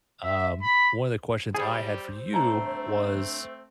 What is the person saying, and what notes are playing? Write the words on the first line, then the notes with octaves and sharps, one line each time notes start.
Um, one of the questions I had for you was,
E5
B5
G3 G#4 C5
G2 A3 C4 A5 A#5